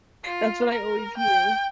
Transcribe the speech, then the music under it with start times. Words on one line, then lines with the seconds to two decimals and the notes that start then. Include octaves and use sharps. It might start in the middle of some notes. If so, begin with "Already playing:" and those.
That's what I always hear.
0.25 F4
0.72 A#4
1.18 G5